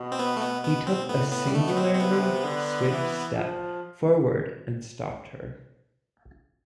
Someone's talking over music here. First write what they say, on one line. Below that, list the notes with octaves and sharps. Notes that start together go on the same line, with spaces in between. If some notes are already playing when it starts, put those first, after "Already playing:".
He took a singularly swift step forward and stopped her.
Already playing: B2
C4
B3
A3
B3
B3
C4
A2 B3
B3
G3
B2 A3
B3
C4
C4
C3 B3
D3
C3
D3
E3
F3